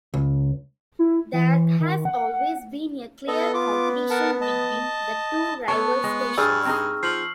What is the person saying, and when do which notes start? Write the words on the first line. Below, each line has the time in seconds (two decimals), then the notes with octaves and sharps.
There has always been a clear competition between the two rival stations.
0.14 C#2
0.99 E4
1.33 E3
1.80 D#3
2.05 F#5
3.28 B3 A4 D#5
3.54 F4 D6
4.10 A#4 F#5 A5
4.41 D#5 A5
5.68 B3 A4 C#5 A5 C#6
6.04 G#3
6.37 G2 G#4 D5 G#5 E6 F6
6.65 C4 D#4 G#4
7.03 F3 C7 F#7